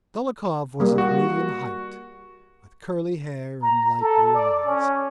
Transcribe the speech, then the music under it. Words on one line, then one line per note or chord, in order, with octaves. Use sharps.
Dolokhov was of medium height, with curly hair and light-blue eyes.
G3 A#3
F#4
A#5
A4
D5
C#4